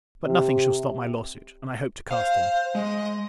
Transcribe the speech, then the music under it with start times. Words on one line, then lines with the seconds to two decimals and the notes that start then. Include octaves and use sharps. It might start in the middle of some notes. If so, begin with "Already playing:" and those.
But nothing shall stop my law-suit, and I hope to cast him.
0.25 C3
2.11 C5 F5
2.75 G#3 D#5